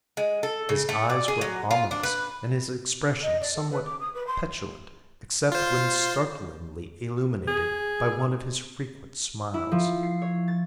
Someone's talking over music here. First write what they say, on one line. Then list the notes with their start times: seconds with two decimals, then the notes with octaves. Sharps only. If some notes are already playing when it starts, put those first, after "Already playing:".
His eyes were ominous and his expression somewhat petulant except when startlingly illuminated by one of his frequent smiles.
0.17 G#3
0.43 A4
0.69 C#3
0.89 A3
1.10 D5
1.28 G#4
1.41 F#3
1.71 F4
1.91 D4
2.03 B4
3.22 D#5
3.40 D5
3.55 A4
3.71 B4
3.85 D6
3.99 D#6
4.14 B4
4.26 C6
5.52 F4 C5
7.48 G#4
9.54 E4
9.71 F3
10.03 C7
10.22 C#5
10.48 A6